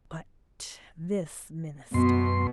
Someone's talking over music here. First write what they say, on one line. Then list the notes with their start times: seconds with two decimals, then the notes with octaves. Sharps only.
But this minister.
1.94 F#2 B2 C6